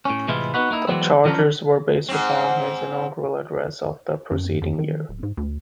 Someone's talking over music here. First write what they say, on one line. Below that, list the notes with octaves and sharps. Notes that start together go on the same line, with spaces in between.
The charges were based upon his inaugural address of the preceding year.
A2 C#4
A2 C3 E3 G#3 E4 F4
B3 D#4 F#4 B4
A#3 D#4 E4
E3 F#3 G#3 B3 C4
E3 F3 C#4 D4 A4 A#4
G#2 C4
F#2
F2
D#3
D1
G#2
D2